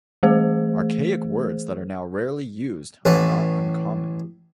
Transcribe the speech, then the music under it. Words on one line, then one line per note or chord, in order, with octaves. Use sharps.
Archaic words that are now rarely used are not uncommon.
E3 A3 G#4 C5
A1 A2 B4 F#5